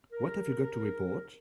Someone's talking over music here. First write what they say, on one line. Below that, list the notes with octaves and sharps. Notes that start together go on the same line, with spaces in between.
What have you got to report?
A#4